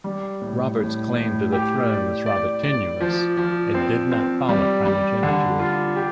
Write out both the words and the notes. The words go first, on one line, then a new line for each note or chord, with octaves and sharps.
Robert's claim to the throne was rather tenuous and did not follow primogeniture.
G3
A2
A2
A2
G4
D5
D5
D5
F3
F3
C4
C4
G3
G3
D3
F4
G4